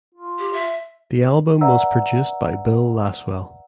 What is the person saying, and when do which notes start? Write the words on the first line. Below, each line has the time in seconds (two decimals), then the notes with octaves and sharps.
The album was produced by Bill Laswell.
0.15 F4
0.39 G4
0.53 E5
1.61 B4 D5 E5 F#5 A#5 E6